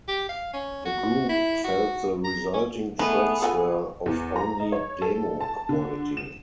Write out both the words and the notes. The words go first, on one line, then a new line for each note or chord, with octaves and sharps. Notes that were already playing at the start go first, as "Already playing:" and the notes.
The group felt the resulting tracks were of only demo quality.
G4
F5
C#4
F#4
E4
F#4
A#5
C#4
A3 B3 D#4 G#4
F4 A4 G5 G#5
E2
A#5
D#5
C#5
A4
A5
D3
E7